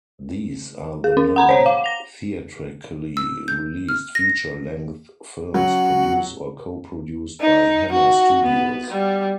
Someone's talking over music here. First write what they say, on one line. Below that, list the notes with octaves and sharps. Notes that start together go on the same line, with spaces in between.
These are the known, theatrically released, feature-length films produced or co-produced by Hammer Studios.
G#4
C#4
F#5 A#5 B5
C5 C#5 A#5
F5
A#6 F7
E6
G6
F6
A#6
F#3 C#4 F#4 F#5
D#4
F#4
B3
G3